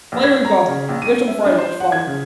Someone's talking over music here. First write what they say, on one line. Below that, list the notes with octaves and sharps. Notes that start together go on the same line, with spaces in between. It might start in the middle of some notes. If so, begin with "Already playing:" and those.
Play Repo, with some friends, it's fun.
A#1
G#6
A#5
C#3
A#1
D#7
E5
D4
C5
F#5
G#6
C#3